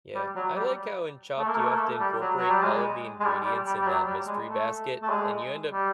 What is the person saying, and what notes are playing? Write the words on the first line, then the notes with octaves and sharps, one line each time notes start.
Yeah, I like how in Chopped you have to incorporate all of the ingredients in that mystery basket, and you end up
G3
F#3
G3
A3
A#3
A3
A#3
A3
G3
F#3
F#3
G3
G#3
G#3
G3
G3
G3
G3
F#3
G3
G#3
A3
A3
G#3
G3